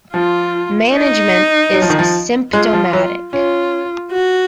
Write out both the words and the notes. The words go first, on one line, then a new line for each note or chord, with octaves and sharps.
Management is symptomatic.
F3 F4
D#4
F#3
F3
D#3
F3
G#3 F4
F3
F#3
C#4 F4
F#4